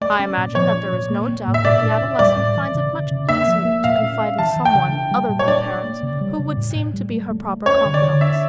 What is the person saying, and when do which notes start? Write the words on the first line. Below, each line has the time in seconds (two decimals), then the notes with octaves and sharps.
I imagine that there is no doubt that the adolescent finds it much easier to confide in some one other than the parents who would seem to be her proper confidants.
0.01 A3 D5
0.19 C#4
0.37 A#2
0.55 F3 C#5
0.74 C#4
0.92 A#2
1.10 A#3
1.29 A#3
1.47 A2
1.54 E5
1.65 A#2 D5
1.83 D4
2.02 A#2
2.19 G3 D5
2.37 A2
2.56 E3
2.75 C#3
2.93 C#3
3.11 C#3
3.29 A#3 E5
3.48 F3
3.65 A#3
3.84 A#2 F5
4.02 C#4
4.20 C#4
4.39 E3 A5
4.56 E3
4.65 G5
4.75 C#3
4.93 D4
5.11 G3
5.29 A#2
5.39 C#5
5.47 D4 D5
5.66 D4
5.84 A#3
6.03 C#3
6.21 G3
6.39 C#3
6.57 A2
6.75 A2
6.94 G3
7.12 A3
7.31 A3
7.49 A3
7.66 C#4 C#5
7.85 D3
7.94 D5
8.04 D3
8.21 D4 E5